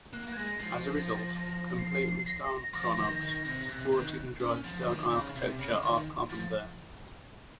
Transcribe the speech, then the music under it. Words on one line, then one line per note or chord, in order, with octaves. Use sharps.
As a result, completely stone crannogs supporting drystone architecture are common there.
A#3 F#6
A#3
G#6
G#3 A#6
F3 C7
A#6
C7
A#6
F3
D#3
D#3
C3
C3 F#6
D#3
C#4
F3
C#3
D#3
C#3
C3
C#3
D#3
F3